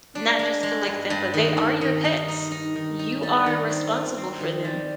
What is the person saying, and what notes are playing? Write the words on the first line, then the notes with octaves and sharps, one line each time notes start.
Not just collect them, but they are your pets. You are responsible for them,
D4
G#3
G#3
G2
G2
D#3
D#3
D#3
D#4
D#4
D#4
D#3
D#4
G3
D#3
C4
F4
C4
D#3
G3